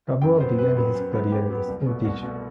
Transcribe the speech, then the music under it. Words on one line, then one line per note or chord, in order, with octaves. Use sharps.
Kabua began his career as a school teacher.
F#2 G5
F#3 B3 C5
F#2 B4
F#3 B3
F#2
F#3 B3
F#2 G4
F#3 B3
C2
B2 A3
C2 F#4
B2 A3